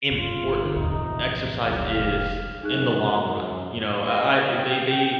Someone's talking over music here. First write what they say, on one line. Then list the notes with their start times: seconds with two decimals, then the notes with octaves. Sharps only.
important exercise is in the long run. You know? I I they they e
0.11 G2 F4
0.46 G1
0.76 E2 A2 C3 D#4
1.10 A#1
1.66 F1 C#2 F#3 G4 F5
1.99 G3 A3
2.63 F#2 D#4 G#4 F#6
3.99 D#5
4.55 G5